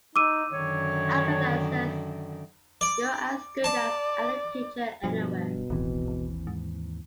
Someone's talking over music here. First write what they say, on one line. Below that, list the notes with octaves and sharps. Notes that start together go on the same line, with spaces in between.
Agatha says you’re as good as any teacher anywhere.
D#4 D6 E6 D#7
F#2 D3 D#3 C#5
D5
D5 A5
G2 B2 F3
A1 D#2 E3 C4
G#1
G#2